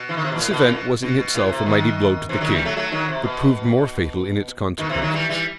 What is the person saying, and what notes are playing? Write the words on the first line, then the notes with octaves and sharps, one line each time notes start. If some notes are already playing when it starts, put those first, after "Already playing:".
This event was in itself a mighty blow to the king; but proved more fatal in its consequences.
Already playing: B2
E3
D#3
C3
B2
A2
B2
A2
B2
B2
B2
A2
C3
B2 D#3
C3 E3
D#3 F#3
E3 G3
F#3 A3
F#3 A3
D#3 F#3
C3
B2
B2 D#3
C3 E3
D#3 F#3
E3 G3
E3 G3